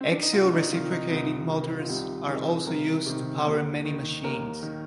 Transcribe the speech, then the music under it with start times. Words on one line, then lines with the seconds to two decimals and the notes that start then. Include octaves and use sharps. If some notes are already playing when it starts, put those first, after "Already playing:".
Axial reciprocating motors are also used to power many machines.
0.01 C4
0.11 D4
0.22 D#4
0.33 C2 F4
0.44 D4
0.53 D#4
0.72 C3 D#3 F4
0.91 D#4
1.10 C2 D#4
1.50 C3 D#3
1.79 F4
1.89 C2 G4
2.28 C3 D#3 G#4
2.67 C2 A#4
3.06 C3 D#3
3.45 D#2
3.85 D#3
4.24 D#2 A#4
4.63 D#3